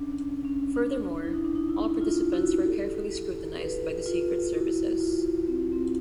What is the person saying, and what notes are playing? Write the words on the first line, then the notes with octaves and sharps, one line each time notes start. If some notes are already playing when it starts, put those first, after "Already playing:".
Furthermore, all participants were carefully scrutinized by the secret services.
Already playing: C#4 D4
D4
C#4
D4
E4
D#4
D4
D#4
E4
F4
E4 F#4
G4 A4
A4 B4
F4
E4 F#4
F4
C4
C4